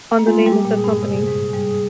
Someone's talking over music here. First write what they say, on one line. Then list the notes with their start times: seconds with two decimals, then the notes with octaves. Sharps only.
on the name of the company.
0.19 A#3
0.27 G#3 F4
0.46 G3
0.52 G4
0.65 A#2
0.77 G#4
0.84 G2
1.03 C3
1.28 G#2
1.53 G3